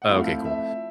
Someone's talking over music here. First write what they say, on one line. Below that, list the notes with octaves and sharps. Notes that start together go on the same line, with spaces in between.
Oh okay, cool.
F#5
F3 A3 C4 E4 F5
E5